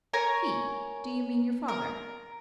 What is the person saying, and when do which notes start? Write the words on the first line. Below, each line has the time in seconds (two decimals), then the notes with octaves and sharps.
"He--do you mean your father?"
0.13 A#4 C#5 G#5 A#5
1.68 A#4